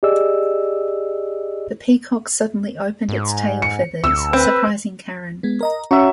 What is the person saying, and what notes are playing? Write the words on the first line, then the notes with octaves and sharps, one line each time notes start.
The peacock suddenly opened its tail feathers, surprising Karen.
G4 G#4 D5 D#5 E6
G#2
C#7
D2 E6
C4 B4
G#3 B3
A#4 D#5 A#5
F#3 C#4 E5